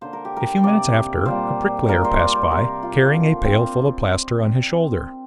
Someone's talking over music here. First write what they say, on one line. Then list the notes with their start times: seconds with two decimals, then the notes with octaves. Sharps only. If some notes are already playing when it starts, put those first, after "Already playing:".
A few minutes after, a Bricklayer passed by, carrying a pail full of plaster on his shoulder.
0.01 D3 A#3 C5
0.13 A#4
0.25 G4
0.37 A#4
0.64 C3 A#3 D5
1.26 A#2 G3 A#3 C5
1.88 A#2 A#3 A#4
2.04 C5
2.20 D5
2.35 C5
2.51 C3 A#3 A#4
2.83 F4
3.13 D3 A#3
3.45 C4